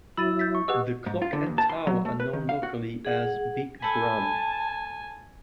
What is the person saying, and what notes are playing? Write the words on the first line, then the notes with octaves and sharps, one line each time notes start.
The clock and tower are known locally as, "Big Brum".
F#3 E4 B5 E6 A6 D#7
G6 A6 B6
C#6
G4 G#4 B4 D#5 F#5 E6
G#2
F4
D3
D#2
A5
C6
F#3
A3
B4
D#3
F5
F#4
G#4 F#5
A4 C5 G#5 A5 B5